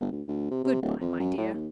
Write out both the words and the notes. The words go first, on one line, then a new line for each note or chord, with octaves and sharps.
Good-by, my dear.
G1
D2
D2
C3
C3
D1
F2
F#2
A2
D#2